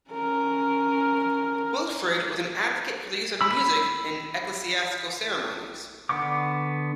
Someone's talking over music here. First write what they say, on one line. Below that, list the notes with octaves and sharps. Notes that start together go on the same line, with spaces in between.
Wilfrid was an advocate for the use of music in ecclesiastical ceremonies.
C#4 A#4
B5 E6
D3 B3 C#6 D6